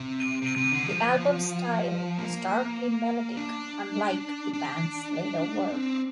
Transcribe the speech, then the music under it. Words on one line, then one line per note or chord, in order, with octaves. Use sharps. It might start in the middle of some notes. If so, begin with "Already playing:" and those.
The album's style is darkly melodic, unlike the band's later work.
Already playing: C3
C3
C3
D3
F3
A#3
D4
D4
C4